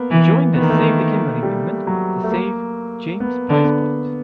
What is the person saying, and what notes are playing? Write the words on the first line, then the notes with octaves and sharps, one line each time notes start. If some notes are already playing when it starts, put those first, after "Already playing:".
He joined the Save the Kimberley movement to save James Price Point.
Already playing: A#3 B3
E3
D#3 B3
A#3
A3
A#3
G3
F#3
A3
A#3
B3
D3
B3